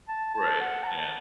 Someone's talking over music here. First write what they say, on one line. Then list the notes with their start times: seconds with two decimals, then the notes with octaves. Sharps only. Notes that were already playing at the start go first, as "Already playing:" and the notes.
Right, yeah.
0.08 A5
0.35 A5
0.61 F#5
0.83 A#5
0.88 A5